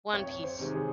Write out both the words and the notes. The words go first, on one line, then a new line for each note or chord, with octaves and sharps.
One Piece.
F2 C#5
C5
C3 D#3 G#3
G#4